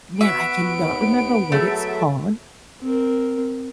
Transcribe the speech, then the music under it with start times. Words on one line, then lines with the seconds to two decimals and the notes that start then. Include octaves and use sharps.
man, I cannot remember what it's called,
0.21 B3 F#4 E5 D7
0.75 D#2
1.52 F#3 A3 G#4 A4 E5
2.82 C4 A#4